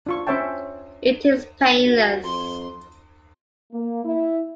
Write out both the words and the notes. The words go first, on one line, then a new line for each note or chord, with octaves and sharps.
It is painless.
D4 F4 C#6
C#4 C5 C#5 E5 G5 A5
F#4
F2 C6
A#3
E4